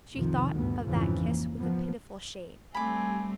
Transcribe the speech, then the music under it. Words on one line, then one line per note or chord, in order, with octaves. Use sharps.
She thought of that kiss with a pitiful shame.
C2 F2 C3 D#3 F3
D2 G2 A#2 B3
A1 F2 G#2 C#3 E3 F3
A#3
F3 A#3 B3
G3 A3 C4 G#5 B5 D6